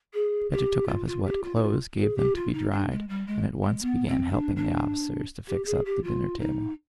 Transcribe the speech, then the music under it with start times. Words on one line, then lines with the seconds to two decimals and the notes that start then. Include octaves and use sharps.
Petya took off his wet clothes, gave them to be dried, and at once began helping the officers to fix up the dinner table.
0.14 G#4
0.52 G4
0.88 F4
1.06 F4
1.25 G4
1.43 F4
1.55 D#4
1.61 F4
1.98 G#4
2.17 G4
2.35 F4
2.53 D#4
2.71 D4
2.91 G#3
3.08 G3
3.27 G#3
3.63 G#3
3.82 B3
4.07 C4
4.31 D4
4.56 D4
5.48 G4
5.66 G#4
5.85 G4
6.04 F4
6.39 D#4